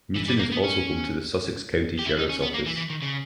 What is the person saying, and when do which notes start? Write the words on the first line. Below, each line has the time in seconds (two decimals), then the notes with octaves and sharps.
Newton is also home to the Sussex County Sheriff's Office.
0.16 E3
0.28 G3
0.39 A#3
0.52 B3
0.64 C#4
1.99 G4
2.06 E4
2.18 D#4
2.29 C#4
2.42 B3
2.54 A#3
2.66 E3
2.77 E3
2.90 D#3
3.02 C#3